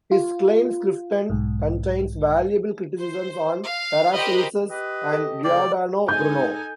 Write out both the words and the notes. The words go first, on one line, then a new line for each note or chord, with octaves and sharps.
His "Kleine Schriften" contains valuable criticisms on Paracelsus and Giordano Bruno.
F4
B1 G#2
C5
F5
G4 A#4 C5 D#5 B5
G4 B4 D#5
A4
C#3 A#3 D5 G5
G#2 D#4 A4 G#5 G6